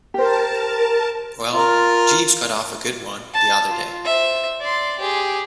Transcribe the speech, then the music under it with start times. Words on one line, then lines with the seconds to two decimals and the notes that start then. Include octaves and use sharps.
Well, Jeeves got off a good one the other day.
0.14 G4 A#4 C5 A5
1.53 F4 A#4
3.34 A5
3.69 F4
4.05 C5 E5
4.60 D5 C6
4.99 G4 G#4